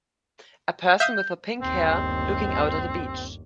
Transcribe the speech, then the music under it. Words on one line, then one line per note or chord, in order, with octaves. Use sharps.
A person with pink hair looking out at a beach.
E5 F5 D#6 G6
G1 D#2 C4